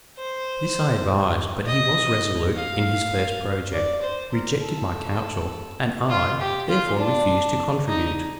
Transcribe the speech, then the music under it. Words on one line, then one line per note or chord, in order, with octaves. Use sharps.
This I advised, but he was resolute in his first project, rejected my counsel, and I, therefore, refused to contribute.
C5
D#5
F5
D5
C5
A#4
A4
F4
G4
F4
D4
D#4